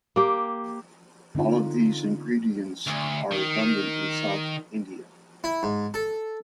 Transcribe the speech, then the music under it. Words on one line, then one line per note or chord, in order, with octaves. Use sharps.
All of these ingredients are abundant in South India.
A#3 G4
D3 C4 D4 D#4 F4
D2
D#3
E4
G#2
A4